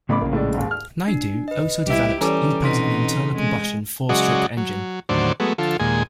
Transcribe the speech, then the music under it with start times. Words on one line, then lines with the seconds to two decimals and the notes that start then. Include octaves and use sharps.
Naidu also developed independently internal combustion four stroke engine.
0.09 A1 C#3 A3 B3 B5 D6
0.21 A#1 A#2 C#3 A#3
0.33 A2 G#3 D5
0.54 D#2 G#2
0.71 F6
1.08 D4
1.48 B4 D#5
1.86 C2 E4 G4 E5
2.21 E3 G3 C#4 A4 A#5 D6
2.62 B2 C4 D#4 C6 B6
3.36 G#3
4.09 C#3 F#3 G#3 F#4 D5 D#5
4.57 F#3
5.09 D#2 A2 D3 F#3 C5 D5
5.40 F#3 G#3 A3 B3
5.58 D3 F3 F4 A4
5.80 D#2 A#2 G#3 G#5